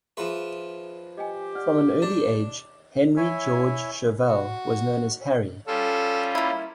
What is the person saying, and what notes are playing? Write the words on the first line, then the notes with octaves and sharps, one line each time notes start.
From an early age Henry George Chauvel was known as "Harry".
F3 G#4 B4 E5 C6
G4 D#5 G5 G#5
D5 F#5 F6
D4 D6 A6
E4 C#5 E5 G#5
F#4
G3 C#4 F4 A4
A#3 E4